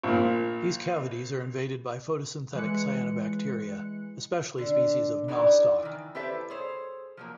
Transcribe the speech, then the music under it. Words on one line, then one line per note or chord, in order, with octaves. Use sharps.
These cavities are invaded by photosynthetic cyanobacteria, especially species of "Nostoc".
A#1 A#2
E3 G#3 F#6 C#7
D3
E3 D#4 A4 D5
D#3 E3
E4 G4 A4 B4 C5 E5
G#4 A4 C5 C#5
F3 F#3 A#3